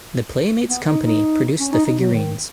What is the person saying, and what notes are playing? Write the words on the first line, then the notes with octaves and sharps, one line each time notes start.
The Playmates company produced the figurines.
B3
D#4
D#4
C#4
D#4
D#4
F#3
D#3